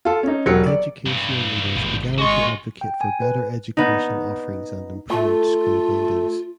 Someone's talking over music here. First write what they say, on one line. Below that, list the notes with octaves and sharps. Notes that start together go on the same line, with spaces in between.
Educational leaders began to advocate for better educational offerings and improved school buildings.
F4 A4
C#4 D#4
E1 F#3 G4 C#7
D5
G2 E3
G#1 G#2
G#3 F#4 C6 C#6
G5
G#5
B4
B3 D#4
A3 F4